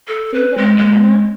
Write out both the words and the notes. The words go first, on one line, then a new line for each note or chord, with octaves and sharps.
'See that, Anna?
A4
B4
G#3
G#3